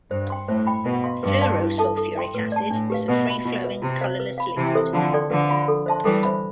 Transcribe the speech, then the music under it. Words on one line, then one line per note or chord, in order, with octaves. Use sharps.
Fluorosulfuric acid is a free-flowing colorless liquid.
G2 C5
G5 C6
A2 C5
G5 B5
B2 B4
F5 C6
G2 B4
D5 F5 A5 C6
E4
A4 E5 A5
A4
E5 G5 C6
A2 B4
D5 A5
A2 D4
G4 B4 F5
B2 B4
E5 B5
B2 F4
B4 E5
C3 F4
C5 F5
B4
F5 B5
C3 E3 E4
A4 C5 E5
D3 F3 F4
A4 D5 G5 C6
D3 F3 B4
F5 B5
A4
C5 E5 A5 C6
E3 G3 A4
C5 E5 B5